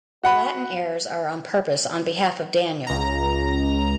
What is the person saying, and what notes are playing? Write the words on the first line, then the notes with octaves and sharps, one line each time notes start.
The Latin errors are on purpose on behalf of Daniel.
F#4 F#5 B5
C#2 A#5